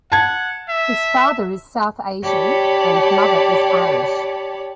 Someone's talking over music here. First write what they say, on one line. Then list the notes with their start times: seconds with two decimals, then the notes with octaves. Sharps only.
His father is South Asian and mother is Irish.
0.12 F#5 A5 G#6
0.69 E5
2.22 G4 C#5 D5 A5 B5